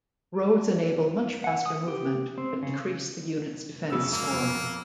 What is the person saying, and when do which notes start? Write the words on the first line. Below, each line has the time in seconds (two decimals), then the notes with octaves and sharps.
Roads enable much faster movement, but decrease the unit's defense score.
1.44 F#5
1.66 D#6
1.88 G4
2.38 C4
2.63 C#3
3.90 F2 C#3 E6
4.12 E1 A#3
4.33 F2